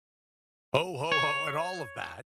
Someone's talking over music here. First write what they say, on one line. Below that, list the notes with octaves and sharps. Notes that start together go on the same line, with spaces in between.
"Ho! Ho! Ho!" and all of that,
C#5